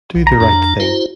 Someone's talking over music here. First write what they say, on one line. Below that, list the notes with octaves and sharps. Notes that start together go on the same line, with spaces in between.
Do the right thing.
B1
A#5
F2 D4
E4 F#4 C5